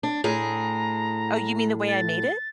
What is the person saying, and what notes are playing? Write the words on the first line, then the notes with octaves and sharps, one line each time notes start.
Oh, you mean the way I made it?
D4
A2 G#4 A#5
A6